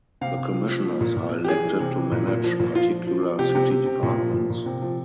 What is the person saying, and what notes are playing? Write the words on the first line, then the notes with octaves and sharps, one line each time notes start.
The commissioners are elected to manage particular city departments.
C3 F5
C3
F3
F3
F3
A#2
A#2
F3
G4
E3 G#4
E3
C3
E3
A#2
A#2
F3
A#2
F3 F4
F3
F3
F3
C3 G4
C3
C3
C3
A#2
F3
A#2
A#2
C3
F3